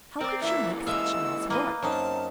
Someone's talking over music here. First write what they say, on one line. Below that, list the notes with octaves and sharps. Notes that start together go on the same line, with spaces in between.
How could she make such nails work?
C4 A#4 D5
A#2 E3 E5
G#3 E5 F5 E6
A#3 B4 D#5
F#2 C4 D#4 A5